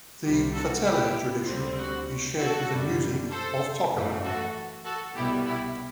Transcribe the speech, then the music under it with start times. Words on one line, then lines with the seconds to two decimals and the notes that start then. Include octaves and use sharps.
The "fatele" tradition is shared with the music of Tokelau.
0.23 C2 C3 G3
0.54 F#4 A4
0.85 E4 G4
1.46 D2 D3 G3 C4
1.77 F#4
2.38 F#4 A4
2.69 F#2 D3 G3
3.31 A4 C5
3.92 F#2 E3 A3
4.23 F#4 A4
4.85 F#4 A4
5.15 C2 B2 G3 B3 E4 G4
5.46 E4 G4